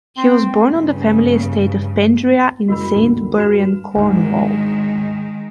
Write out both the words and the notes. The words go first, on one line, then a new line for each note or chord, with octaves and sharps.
He was born on the family estate of Pendrea in Saint Buryan, Cornwall.
C4
G2 C#3
F#1 F#4 A#4 B5
D#2 D3
G2 F#4 F6 E7
D2 G#2 D#3 G#3